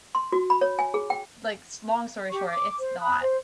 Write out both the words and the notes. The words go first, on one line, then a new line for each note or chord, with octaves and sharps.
like s long story short, it's not
C6
F#4
B5
C#5
G#5
G#4
G5
G4 C#6
D6
C5
B5 D#6 F#6
C5